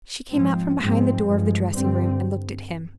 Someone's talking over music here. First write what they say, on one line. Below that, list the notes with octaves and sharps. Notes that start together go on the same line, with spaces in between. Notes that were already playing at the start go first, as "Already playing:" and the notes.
She came out from behind the door of the dressing room, and looked at him.
G#2 F3 C4
G#2 F3 G#3 C4
G2 F3 G#3
G2 D3 G3 C4